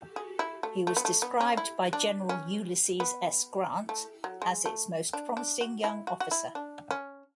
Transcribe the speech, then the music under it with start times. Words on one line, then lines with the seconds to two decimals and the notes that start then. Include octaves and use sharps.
He was described by General Ulysses S. Grant as its most promising young officer.
0.16 G#4
0.39 E4
0.63 A3
0.87 A3
0.97 B3
1.05 A3
1.22 B3
1.41 C#4
1.57 E4
1.93 D4
2.29 C#4
3.00 B3
3.89 A3
4.24 F#3
4.42 G#3
4.66 A3
5.13 D4
5.37 D4
5.61 F#4
5.84 E4
6.07 F#4
6.20 F#4
6.31 E4
6.55 D4
6.91 C#4